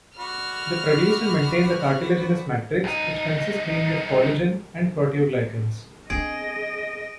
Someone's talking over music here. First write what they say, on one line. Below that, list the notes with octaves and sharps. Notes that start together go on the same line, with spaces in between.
They produce and maintain the cartilaginous matrix, which consists mainly of collagen and proteoglycans.
F#4 D5 B5 F6
C2 D#4
C4 D4 G#4 D#5 D7